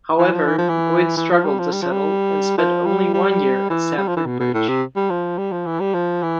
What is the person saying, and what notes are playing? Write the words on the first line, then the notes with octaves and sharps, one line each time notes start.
However, Boyd struggled to settle and spent only one year at Stamford Bridge.
E3
F3
E3
F3
E3
E3
F3
G3
F3
G3
F3
G3
F3
G3
G3
E3
G3
F3
E3
B2
B2
A2
C3
G3
F3
G3
F3
E3
G3
F3
E3